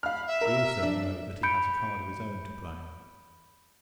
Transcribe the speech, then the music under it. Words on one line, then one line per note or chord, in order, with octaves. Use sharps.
We also know, that he has a card of his own to play.
F5 B5 F6
E5
A#4 E6
D4
B5 G6 C#7 D7